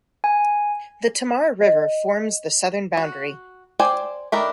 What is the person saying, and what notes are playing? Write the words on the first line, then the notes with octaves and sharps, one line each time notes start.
The Tamar River forms the southern boundary.
G#5
D#5
F#4
C5 D5 G5 G#5
D#3 A3 D4 A#4 B5